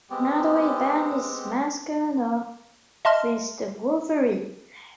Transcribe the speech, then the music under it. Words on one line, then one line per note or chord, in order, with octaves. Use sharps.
Nodaway Valley's mascot of is the wolverine.
G#3 B3 C4 G4
D#5 E5 A5 C6 F6